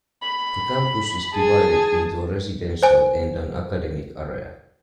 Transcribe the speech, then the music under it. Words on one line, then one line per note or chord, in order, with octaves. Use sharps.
The campus is divided into a residential and an academic area.
B5
G#4 A5
C5 G#5